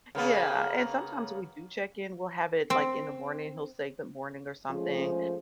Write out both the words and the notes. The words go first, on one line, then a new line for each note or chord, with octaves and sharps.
Yeah, and sometimes we do check-in, we'll have it, like, in the morning, he'll say "Good morning" or something, in
C#3 A#3 B3
C4
F3 G#3 A3 C#4 G#4 C5